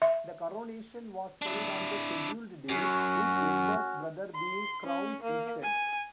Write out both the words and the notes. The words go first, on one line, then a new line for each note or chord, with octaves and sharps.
The coronation was held on the scheduled day, with Edward's brother being crowned instead.
E5
D4 E4
F#2 C#4 F#4
C6
C#4
A#3
G#5